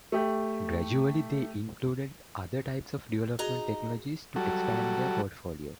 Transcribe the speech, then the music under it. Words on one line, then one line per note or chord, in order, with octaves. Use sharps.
Gradually they included other types of development technologies to expand their portfolio.
A3 G4
D#4 F#4 G#4 D#5 A#5
F#3 G3 F#4 A4